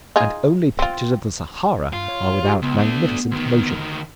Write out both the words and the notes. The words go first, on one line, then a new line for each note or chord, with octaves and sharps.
And only pictures of the Sahara are without magnificent motion.
D#4 F4 G#4
C4 F4
G2 F4
C#5
G4
C#2 B3
A3 D4
D2 D#3